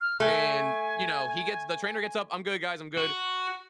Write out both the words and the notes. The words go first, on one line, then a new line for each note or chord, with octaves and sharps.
And, you know, he gets the trainer gets up, "I'm good, guys, I'm good."
F6
A3 G#5
F#4